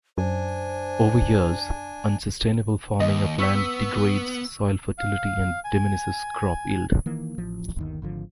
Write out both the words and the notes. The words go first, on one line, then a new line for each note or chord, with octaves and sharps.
Over years, unsustainable farming of land degrades soil fertility and diminishes crop yield.
F#2 D4 C5 G#5
D#2 D#5
B3 C#6 E6 B6
F5
G#5
D#3 E3 A#3
A1 F3
G1 D#2 D#3
G#1 D3 F3